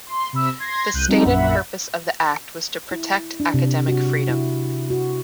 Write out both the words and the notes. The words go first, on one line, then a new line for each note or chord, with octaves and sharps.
The stated purpose of the Act was to protect academic freedom.
C6
C3 B5 E6
C6 G#6 A#6 C7
C2 F#6 G6 D#7
F3 G3 G#3 C4 D#4
A#1 F#2 E5 F#5 B5
E4
D4
C3
F#4
E4
F#4